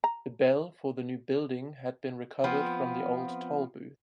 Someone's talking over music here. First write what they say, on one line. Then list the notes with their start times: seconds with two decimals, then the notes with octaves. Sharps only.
The bell for the new building had been recovered from the old tollbooth.
0.04 A#5
2.44 F3 B3 C4